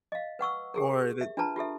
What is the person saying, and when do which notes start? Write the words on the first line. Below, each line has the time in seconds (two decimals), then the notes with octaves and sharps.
Or the
0.12 D#5 F5
0.39 B4 F#5 C#6 E6
0.74 G4 G#4 A#4
1.21 E5
1.37 D4 F4 B4 A5 A#5
1.56 F4 G4 A4 E5